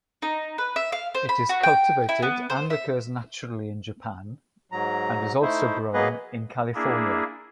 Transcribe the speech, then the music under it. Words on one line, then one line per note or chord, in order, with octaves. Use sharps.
It is cultivated and occurs naturally in Japan and is also grown in California.
D#4
B4
E5
F5
C5
B5
F#4
G5
E4
B3
C5
E5
G#2 F#3 A#5
A3 D#4 E4 C5
F#3 A#3 B3 G#4 B4 D#5
A#3 D4 E4 G#4